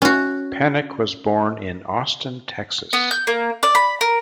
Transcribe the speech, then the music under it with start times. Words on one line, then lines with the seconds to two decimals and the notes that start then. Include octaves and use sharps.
Penick was born in Austin, Texas.
0.02 C#4 F#4
2.93 B3
3.11 G6
3.27 A#3
3.63 D5
3.75 B5
4.01 A#4